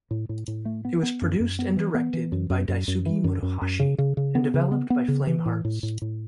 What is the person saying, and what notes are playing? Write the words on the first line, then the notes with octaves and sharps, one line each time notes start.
It was produced and directed by Daisuke Motohashi and developed by Flame Hearts.
A2
A2
A2
A3
B3
B3
F#2
F#2
B3
E3
B3
E3
F#2
F#2
F#2
F#2
E3
F#2
F#2
F#2
C#3
C#3
C#3
B3
C#3
B3
B3
C#3
E3
A2
A2
A2
A2